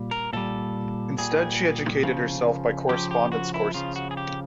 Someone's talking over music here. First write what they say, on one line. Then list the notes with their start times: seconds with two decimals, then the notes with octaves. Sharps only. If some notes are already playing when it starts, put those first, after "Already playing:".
Instead she educated herself by correspondence courses.
Already playing: A#2 G3
0.11 A#4
0.33 A#2 G3 A4
1.18 A#2 G3 G#4
2.03 C#3 F3
2.89 C#3 F3 G4
3.11 G4
3.32 F#4
3.54 E4
3.74 C#3 F3 F4
3.96 F#4
4.11 G#4
4.17 G4